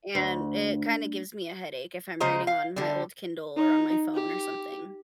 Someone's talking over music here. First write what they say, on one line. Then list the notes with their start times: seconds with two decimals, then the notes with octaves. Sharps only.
and it kinda gives me a headache if I'm reading on my old Kindle, or on my phone, or something.
0.15 D2
2.20 C#3 G#3 C5 D#5 A#5
2.47 F5
2.76 D3 G3
3.56 D#4
4.14 G4